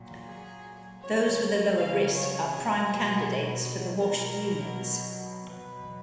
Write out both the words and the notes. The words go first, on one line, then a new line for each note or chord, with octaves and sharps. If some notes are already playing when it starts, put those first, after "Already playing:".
Those with a lower risk are prime candidates for the washed units.
Already playing: A#2 F#3
G#4
C#3 F#3 C#5
F5
C#5
B2 F#3 G#4
B2 F#3 A#4
B2 F#3 B4